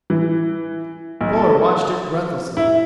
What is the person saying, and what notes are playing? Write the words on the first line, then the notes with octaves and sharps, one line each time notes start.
Fuller watched it breathlessly.
E3
B1
A4
E4